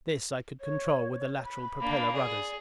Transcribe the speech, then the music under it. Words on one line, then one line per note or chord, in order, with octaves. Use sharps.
This I could control with the lateral propeller rudders.
C#5
B5
A#3 D4
G#4 D5